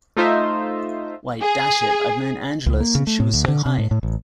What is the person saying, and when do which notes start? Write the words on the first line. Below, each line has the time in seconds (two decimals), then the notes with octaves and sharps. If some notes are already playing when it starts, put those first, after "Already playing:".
Why, dash it, I've known Angela since she was so high.
0.17 A3 D#4 F4 C5 D#5 E5
1.40 G#4
2.66 C#2
2.80 A#3
2.95 C#3
3.07 A3
3.20 A2
3.34 D2
3.48 D3
3.66 C3
3.78 A2
3.91 A2
4.03 A1